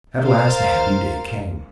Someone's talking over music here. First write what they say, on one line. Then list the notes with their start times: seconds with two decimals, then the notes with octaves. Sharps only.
At last the happy day came.
0.22 A#4 C5 F5 A6